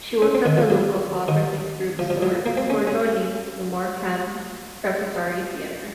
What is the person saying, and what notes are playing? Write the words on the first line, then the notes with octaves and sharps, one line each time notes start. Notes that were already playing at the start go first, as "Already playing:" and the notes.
She worked at the local Co-operative Group store before joining the Morecambe Repertory Theatre.
C#4
C4
D#3
F3
F#3
D#3
F3
F3
F#3
A#3
C4
C#4
C#4